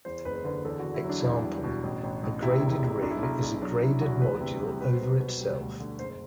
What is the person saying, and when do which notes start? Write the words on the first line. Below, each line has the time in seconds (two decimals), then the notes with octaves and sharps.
Example: a graded ring is a graded module over itself.
0.05 E2 C5
0.25 F#1 B4
0.35 C5
0.44 D3 B4
0.65 E2 A4
0.79 F#4
0.84 D3
0.94 E4
1.05 F#3 D4
1.20 E2 E4
1.33 D4
1.44 G3
1.64 B2
1.83 A1
2.04 A1
2.23 A1
2.42 C3 E4
2.63 E1
2.83 E1
3.02 B1 D4
3.11 E4
3.19 B1 D4
3.42 B1
3.62 F#3 D4
3.81 F#3 E4
4.01 E2 F#4
4.21 D2 B4
4.41 C3
4.61 G3
4.81 B2 B4
4.92 C5
5.01 B1 B4
5.20 B2
5.40 G3
5.60 D2
5.80 D3
5.99 F#1 C5
6.10 C5